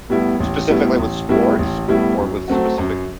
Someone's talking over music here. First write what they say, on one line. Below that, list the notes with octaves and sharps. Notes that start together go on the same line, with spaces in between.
Specifically with sports or with specific
A2 G3 B3 E4
A1
A2 G3 B3 E4
A1
A2 G3 B3 E4
A1
A2 G3 B3 E4
F#2
F#3 A3 C4 F#4
F#2